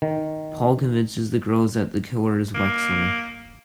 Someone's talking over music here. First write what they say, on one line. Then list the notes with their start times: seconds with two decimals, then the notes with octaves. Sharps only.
Paul convinces the girls that the killer is Wexler.
0.02 D#3
2.54 A#3